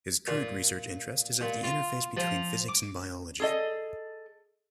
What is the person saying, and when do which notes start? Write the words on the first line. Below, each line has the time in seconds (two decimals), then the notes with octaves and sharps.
His current research interest is at the interface between physics and biology.
0.28 A#2
1.41 A#2
1.63 F4
2.17 F3
2.68 D6
3.40 G#4 A4 D#5